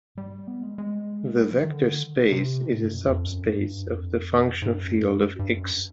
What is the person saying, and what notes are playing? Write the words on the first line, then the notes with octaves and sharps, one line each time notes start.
The vector space is a subspace of the function field of X.
G3
B3
G#3
G#3
G3
F3
D#3
D3
C3
B2
A2
G2
F#2
F2
F#2
G2
F2
G#2
G2
F#2
G2
F#2